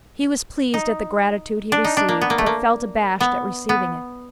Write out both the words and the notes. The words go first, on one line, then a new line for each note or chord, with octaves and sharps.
He was pleased at the gratitude he received, but felt abashed at receiving it.
D#4
D4
D#4
D4
A#3
B3
A#3
A3
A#3
B3
B3